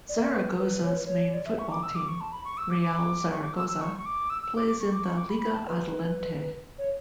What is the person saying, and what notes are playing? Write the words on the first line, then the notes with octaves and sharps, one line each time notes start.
Zaragoza's main football team, Real Zaragoza, plays in the Liga Adelante.
D5
E5
D5
C#5
B4
B4
C#5
B4
C#5
D5
E5
C#6
D6
E6
D6
C#6
A5
B5
C#6
E6
D6
D6
C#6
D6
E6
E6
C#6
C#6
D6
E6
E6
D6
D6
C#6
D6
C#6
D6
B5
B5
A5
B4
C#5